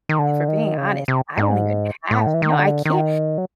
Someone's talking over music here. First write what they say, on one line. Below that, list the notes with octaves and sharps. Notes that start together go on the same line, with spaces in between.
If we're being honest, I don't even have no, I can't,
D#3
D3
D#3
C#3
C3
G#2
A2
D#3
E3
D#3
D3
D#3
F#3